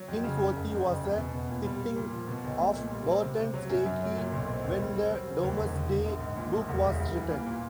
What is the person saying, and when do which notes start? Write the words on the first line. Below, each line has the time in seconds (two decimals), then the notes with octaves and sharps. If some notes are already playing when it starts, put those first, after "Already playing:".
Kings Worthy was a tithing of Barton Stacey when the Domesday Book was written.
Already playing: F#3
0.08 F2
0.24 C#3
0.40 F#1
0.56 F#1
0.71 F2
0.87 C#3
1.03 E2
1.18 B2
1.34 B3
1.49 A#2
1.65 G3
1.81 G3
1.96 A#2
2.12 F3
2.27 B2
2.44 B1
2.59 A3
2.75 A#2
2.91 G3
3.07 C4
3.22 C3
3.38 C3
3.54 F#3
3.70 F#2
3.86 F#2
4.01 F#3
4.16 A#2
4.32 B1
4.48 C4
4.64 D#2
4.80 G3
4.96 C4
5.10 F#3
5.27 C#3
5.43 D#2
5.58 E1
5.74 D3
5.89 D3
6.05 A#1
6.20 G#2
6.36 A#2
6.53 A#1
6.69 E1
6.84 D2
6.99 G3
7.15 E3
7.31 A#3
7.46 A#2